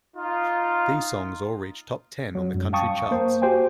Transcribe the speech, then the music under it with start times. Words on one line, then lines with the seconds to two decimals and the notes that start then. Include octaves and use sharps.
These songs all reached Top Ten on the country charts.
0.16 D#4 F4
2.35 F#3
2.54 F#2 G3
2.73 F5 G5 A5 C#6 D#6
3.11 A#3 C5
3.42 F#4 G4 C5 G5 G#5